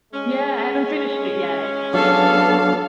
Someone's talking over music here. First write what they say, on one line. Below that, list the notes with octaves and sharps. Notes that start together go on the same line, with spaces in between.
Yeah, I haven't finished it yet,
G#3 C#4
F#3 B3 D4 A4 C#5 F5